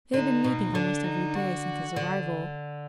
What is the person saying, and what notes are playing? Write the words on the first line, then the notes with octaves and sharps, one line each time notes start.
They had been meeting almost every day since his arrival.
D3 D#4
B2
D3 D4
D#4
F#4
D3